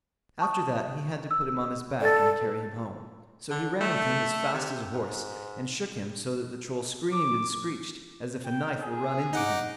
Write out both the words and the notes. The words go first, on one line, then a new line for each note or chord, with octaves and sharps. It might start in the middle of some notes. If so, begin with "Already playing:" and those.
After that he had to put him on his back and carry him home; so he ran with him as fast as a horse, and shook him so that the Troll screamed and screeched as if a knife were run into him.
A5 C#6 D#6
E6
A4 D5 A6
D3
A3
C3
G#2
D6
G5
G#4
D#4 F#5 D6